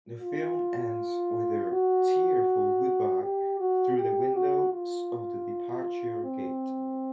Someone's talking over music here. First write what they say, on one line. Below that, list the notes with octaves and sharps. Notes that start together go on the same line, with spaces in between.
The film ends with their tearful goodbye through the windows of the departure gate.
F4
F#4
G4
F#4
G4
F#4
F4
C4